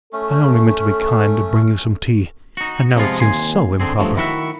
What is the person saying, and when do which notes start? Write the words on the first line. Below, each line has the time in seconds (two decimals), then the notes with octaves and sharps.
I only meant to be kind and bring you some tea; and now it seems SO improper.
0.13 A3 C#4 A4
2.57 D#4 F#4
2.95 C3 F3 G#3 B3 F4
3.20 D#2 F#3 G#5 C6
3.80 D3 C4 G#4
3.99 G2 F3 F#3 A3
4.16 D#3 E4 F#4 A4 E5